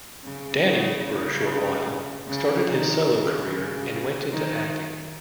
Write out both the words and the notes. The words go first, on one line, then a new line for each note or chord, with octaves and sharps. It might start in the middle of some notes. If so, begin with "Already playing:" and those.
Danny, for a short while, started his solo career and went into acting.
C#3
C#3
C#3
C#3
D#3
C#3
C#3
D#3